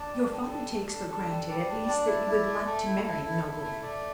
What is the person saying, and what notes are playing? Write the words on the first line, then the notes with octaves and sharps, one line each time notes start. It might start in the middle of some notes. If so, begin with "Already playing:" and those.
"Your father takes for granted at least that you would like to marry a nobleman."
Already playing: D4 D5
G3
G3 A4
D4
D4
D4
D4
G3
G3 D5
D4
D4
E4
E4
A3
A3 A4
E4
E4
E4
E4
A3
A3 D5